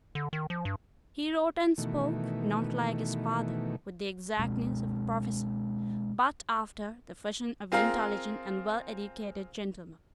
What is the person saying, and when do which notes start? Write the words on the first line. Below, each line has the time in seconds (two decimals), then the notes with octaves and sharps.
He wrote and spoke, not, like his father, with the exactness of a professor, but after the fashion of intelligent and well educated gentlemen.
0.15 D3
0.33 D#3
0.50 F3
0.65 G2
1.78 B2 D#3 E3 A3
4.39 B2 G#3 C4
7.72 C4 F4 G#4 A#4 F5